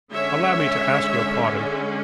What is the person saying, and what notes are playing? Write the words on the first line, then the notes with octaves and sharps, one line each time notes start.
Allow me to ask your pardon.
D3 G#3 C#4 C#5 E5